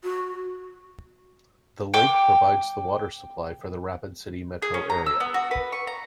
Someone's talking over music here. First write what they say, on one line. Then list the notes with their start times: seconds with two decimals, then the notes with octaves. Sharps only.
The lake provides the water supply for the Rapid City Metro Area.
0.04 F#4
1.94 G5 D6
4.62 G#4
4.74 C#4
4.90 A#5
5.06 E6
5.20 B3
5.34 F#4
5.51 B4
5.72 C#6
5.87 A#5